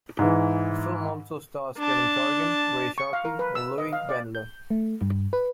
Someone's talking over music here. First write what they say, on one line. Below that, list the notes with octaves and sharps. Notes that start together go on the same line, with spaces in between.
The film also stars Kevin Corrigan, Ray Sharkey, and Lois Bendler.
G#2 E3
D4 A5
C#6
F5
A#4
B4
E6
D#5
F5
D5
G6
A3
G2
B4